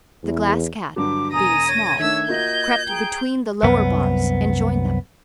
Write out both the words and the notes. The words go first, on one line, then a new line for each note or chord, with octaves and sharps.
The Glass Cat, being small, crept between the lower bars and joined them.
E2
G2 D3 F#3 D6
E1 G#5 A#5 D#6 A#6 D#7
C#5 G#6
D#3 A3 D4 E5 E6
A#3 F4 F#4 D#5 G6
G#4 G5 A#5
C2 F#2 B3